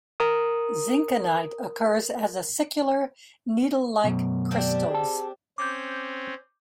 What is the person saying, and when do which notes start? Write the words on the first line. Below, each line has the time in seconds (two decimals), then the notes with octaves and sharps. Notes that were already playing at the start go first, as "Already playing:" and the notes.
Zinkenite occurs as acicular needle-like crystals.
0.20 A#4 D#6
4.04 F#2 B2
4.51 C4 D4 G4
4.91 G#4 A5
5.58 C4 C#4 D6 G6